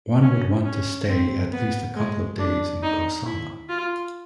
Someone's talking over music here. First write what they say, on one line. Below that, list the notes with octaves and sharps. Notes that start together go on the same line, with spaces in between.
One would want to stay at least a couple of days in Cosala.
C#4
C#4
C4
B3
G#3
D4
D#4
E4
F4